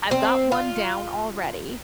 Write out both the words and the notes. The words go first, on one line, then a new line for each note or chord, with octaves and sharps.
I've got one down already,
C4
F4